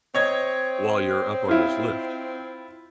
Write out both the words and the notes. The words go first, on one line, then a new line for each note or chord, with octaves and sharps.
While you're up on this lift.
C4 C#5 D#5 G#6
E4 F4